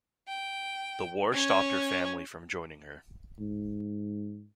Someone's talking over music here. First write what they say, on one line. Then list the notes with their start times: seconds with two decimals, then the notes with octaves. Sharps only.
The war stopped her family from joining her.
0.28 G5
1.32 C#4 C#5
3.39 G#2